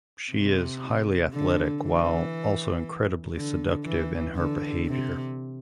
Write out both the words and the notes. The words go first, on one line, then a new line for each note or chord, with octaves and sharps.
She is highly athletic while also incredibly seductive in her behavior.
C3
D3
E3
D3
E3
D3
C3